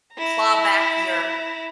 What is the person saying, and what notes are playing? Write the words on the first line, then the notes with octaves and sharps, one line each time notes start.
claw back your
E4 A#5